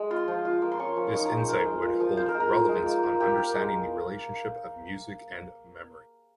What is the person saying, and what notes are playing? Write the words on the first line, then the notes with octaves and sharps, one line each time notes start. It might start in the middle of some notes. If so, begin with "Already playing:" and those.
This insight would hold relevance on understanding the relationship of music and memory.
Already playing: G#3
F4 C6
F3
F4
A#3
C6
C#4 C#6
F3
C6
D#4 C#6
A#5
G#3
C5
F4 A#4
G#3
F4
F3
F4 C5
A#4
G#3
A#4
F4
G#3
A#3
A#3
A#3 G4
A#3
G#3